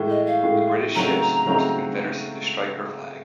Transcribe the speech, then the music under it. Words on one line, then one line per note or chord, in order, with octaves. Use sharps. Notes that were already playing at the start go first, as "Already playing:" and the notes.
The British ships forced "Confederacy" to strike her flag.
Already playing: A2 E3 G#3
D#5
F5
A2 E3 G#3
C#3 F#3 A3 C4 D#4 A#5
C#3 F#3 A3 C4 D#4